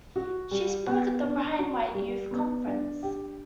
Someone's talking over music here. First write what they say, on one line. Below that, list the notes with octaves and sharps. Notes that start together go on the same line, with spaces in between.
She spoke at the Ryan White Youth Conference.
F#4
G3
B3
D4
F#4
G3
B3
D4
G4